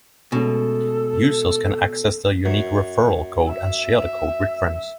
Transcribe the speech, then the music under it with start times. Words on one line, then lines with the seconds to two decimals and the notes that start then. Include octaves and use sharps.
Users can access their unique referral code and share the code with friends.
0.32 B2 G#3 A3 C#4 A4
2.46 F#2
3.49 E5